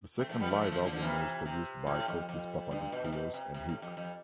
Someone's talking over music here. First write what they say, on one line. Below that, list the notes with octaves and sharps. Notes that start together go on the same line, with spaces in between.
The second live album was produced by Costis Papadopoulos and Hicks.
A3 C4
F3 A3
G3 B3
F3 A3
F3 A3
F3 A3
D3 F3
D3 F3
C3 E3
C3
A2
F2
F2
G2
B2
C3
B2
C3
C3
A2
F2
F2